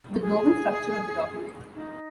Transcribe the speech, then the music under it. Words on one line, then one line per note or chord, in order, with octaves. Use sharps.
The global structure of the document.
G#4
D#4